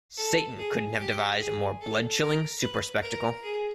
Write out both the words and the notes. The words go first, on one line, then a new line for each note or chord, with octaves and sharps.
Satan couldn't have devised a more blood-chilling super-spectacle.
A4
G#4
G4
G#4
A4
A#4
B4
A#4
G#4